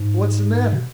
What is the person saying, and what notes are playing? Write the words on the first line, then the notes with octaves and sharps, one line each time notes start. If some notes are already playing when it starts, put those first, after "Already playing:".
"What's the matter?"
Already playing: G#2
B2